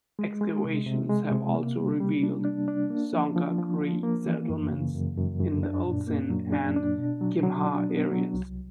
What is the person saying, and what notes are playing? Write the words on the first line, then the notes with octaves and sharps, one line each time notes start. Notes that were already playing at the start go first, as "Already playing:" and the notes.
Excavations have also revealed Songguk-ri settlements in the Ulsan and Gimhae areas.
G#3
G#3
C3
C3
G#3
C3
A#3
G3
G3
D4
D4
D4
A#3
F3
F3
F3
F3
A#3
E3
F#2
C#3
F#2
F#2
F#2
D4
A#2
A#3
F#3
D4
D4
B2
F#3
F#3
D4
B3
F#3
C2